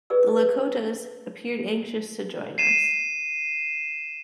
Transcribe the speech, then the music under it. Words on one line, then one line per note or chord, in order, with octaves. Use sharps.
The Lakotas "... appeared anxious to join us".
G#4 B4 D5 E6
C7 D#7 E7